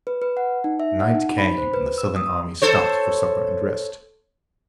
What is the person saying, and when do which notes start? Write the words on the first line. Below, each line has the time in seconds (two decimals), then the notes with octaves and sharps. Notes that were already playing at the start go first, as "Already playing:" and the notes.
Night came and the Southern army stopped for supper and rest.
0.07 B4
0.22 B4
0.37 F#5
0.64 D#4
0.80 E5
1.00 F#5
1.15 D#4
1.38 B5
1.58 C5
1.74 B4
1.98 E6
2.16 D#6
2.62 A4 C5 C#5